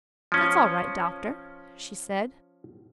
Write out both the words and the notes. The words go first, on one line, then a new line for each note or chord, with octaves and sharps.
"That's all right, Doctor," she said.
F3 C#4